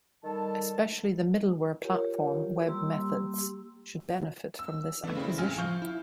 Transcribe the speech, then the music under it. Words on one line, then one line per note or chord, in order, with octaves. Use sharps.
Especially the middleware platform WebMethods should benefit from this acquisition.
D#3 G3 A4 A5
F4 G4 A#4 C#5
G3 A#3 G4 C6 E6
E6
E3 A3 B3 D4
C#3 C4 E4
A1 G#5 F6
F3 F5 C#6 G6
E4